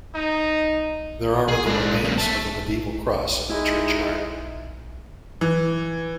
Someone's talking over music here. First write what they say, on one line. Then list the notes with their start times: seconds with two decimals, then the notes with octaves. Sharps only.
There are the remains of a medieval cross in the churchyard.
0.15 D#4
1.48 G#4 G#5
1.66 G#3 D4
2.04 F#2 A#3
2.18 E5 A5
3.49 G#3 D#4 E4
5.41 E3